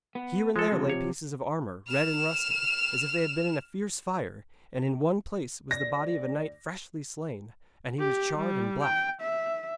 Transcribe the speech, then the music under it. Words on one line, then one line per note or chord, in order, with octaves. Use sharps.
Here and there lay pieces of armour, red and rusted, as if they had been in a fierce fire; and in one place was the body of a knight freshly slain, and he was charred and black.
B3
F3 G#3 A4
C3 F3
C#5
F6 E7
D2 D5 A#6
G4
G3
G5
E5